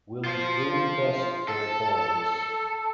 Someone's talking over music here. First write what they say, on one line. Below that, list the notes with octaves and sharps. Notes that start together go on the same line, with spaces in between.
Will do best for boys.
F4 C5
A4